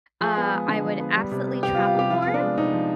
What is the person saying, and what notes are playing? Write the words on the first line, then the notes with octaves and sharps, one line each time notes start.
Uh, I would absolutely travel more,
F3 G#4
B3
G#3
D3
F3
B3
G3
C3
B3
C3 G4
F4
G3
F4
C3 G4
F3 F4
F4
B3
D4
G#3
C3 D#4
F3